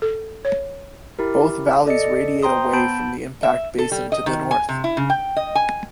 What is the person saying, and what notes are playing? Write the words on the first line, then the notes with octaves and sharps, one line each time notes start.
Both valleys radiate away from the impact basin to the north.
A4
C#5
E4 G4 A#4
A4 D5 D#5 C#7
C5 G5 A#5 C6 D#6
B3 A5 B5 G6 D7
E5
A4
G3
D#5
D#3
G#5
C3
E4
C#3
G5
D#5
G#5